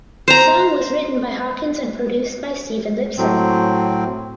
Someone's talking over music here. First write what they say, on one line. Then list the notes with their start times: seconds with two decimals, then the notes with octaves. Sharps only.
The song was written by Hawkins and produced by Stephen Lipson.
0.28 C5 A#5
3.18 A2 F#3 C4